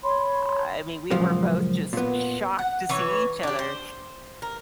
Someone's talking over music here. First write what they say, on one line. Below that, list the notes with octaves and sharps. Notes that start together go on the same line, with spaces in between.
I mean, we were both just shocked to see each other,
C#5 B5 C6
C#2 F#2 A#2 F3
A#2 B3
F#5
E3 B4 C#5
D4 G4
C5
A#4